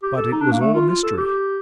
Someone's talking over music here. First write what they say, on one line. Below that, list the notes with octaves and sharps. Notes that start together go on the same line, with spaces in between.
But it was all a mystery.
G4
A4
D#4
D4
A#3
A3
F4
F4
A4
G4